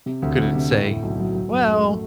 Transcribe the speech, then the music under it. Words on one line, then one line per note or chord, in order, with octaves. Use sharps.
you couldn't say, "Well,
C3
D2
D2
C3
A2
A2
B1
F#3
F#3
F#2
A3
A3